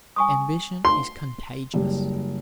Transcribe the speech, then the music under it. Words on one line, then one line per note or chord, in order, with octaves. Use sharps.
Ambition is contagious.
G#5 C#6 D#6
C6
F#1 G3